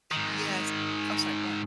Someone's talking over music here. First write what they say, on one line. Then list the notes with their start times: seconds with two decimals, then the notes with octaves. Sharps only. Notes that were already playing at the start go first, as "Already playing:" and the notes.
Yes Oh, sorry. Go on.
0.12 G#2 D#3